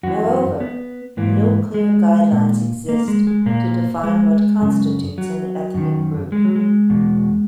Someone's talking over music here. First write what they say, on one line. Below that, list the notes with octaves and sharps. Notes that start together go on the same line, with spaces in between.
Moreover, no clear guidelines exist to define what constitutes an ethnic group.
F#2 E3 F#4
B3
G#2 E3 A#3
G#3
A#2
A#3
G#3
G#3
A#2 A#3
G#3
F#2 C#3
F#3
F#2 D#3
G#3
F#3
G#3
E2 B2